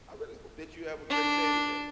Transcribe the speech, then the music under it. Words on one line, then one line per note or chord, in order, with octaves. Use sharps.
I really hope that you have a great day today.
D4